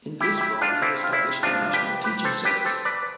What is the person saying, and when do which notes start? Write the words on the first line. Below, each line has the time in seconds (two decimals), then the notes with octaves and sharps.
In this role he established the National Teaching Service.
0.20 E4 G4
0.41 E4 G4
0.61 D4 F4
0.82 C4 E4
1.03 F4
1.12 C4 E4
1.43 C3 F3 D4 F4
1.73 G4 B4
2.04 G4 B4
2.24 A4 C5
2.45 G4 B4
2.65 A4 C5
2.85 B4 D5